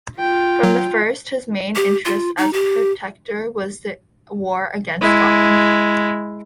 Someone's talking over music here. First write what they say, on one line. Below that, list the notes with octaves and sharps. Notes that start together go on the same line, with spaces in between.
From the first, his main interest as Protector was the war against Scotland.
F4 G5
F#3
G4
F4
D#4
G4
G#3 E4